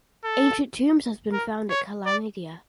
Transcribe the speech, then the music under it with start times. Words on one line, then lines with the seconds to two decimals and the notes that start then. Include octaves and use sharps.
Ancient tombs have been found at Kalandia.
0.24 A4
1.33 A#4
1.70 C#5
2.06 D5